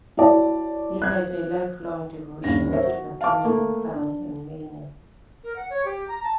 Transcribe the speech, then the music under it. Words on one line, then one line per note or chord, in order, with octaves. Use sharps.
He had a lifelong devotion to the family farm in Maine.
E4 F#4 C#5 D5 A5
F#6 G#6
D#2 D3 G3 C#4 A#6
A#4 C5 C#5 E5
F#4
F5 A5 D6
A3 A#3
D4
A#4
F#5
C#5
G4
A#5
A5